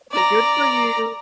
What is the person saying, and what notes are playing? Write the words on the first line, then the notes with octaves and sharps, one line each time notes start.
like, "Good for you."
D5 A#5